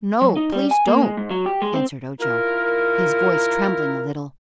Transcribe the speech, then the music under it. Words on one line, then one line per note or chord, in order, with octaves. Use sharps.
"No; please don't," answered Ojo, his voice trembling a little.
F#3
D#4
G3
G#5
A#3
G#3
G#2
F#3
G4
G#3
C4
E4 F4 A#4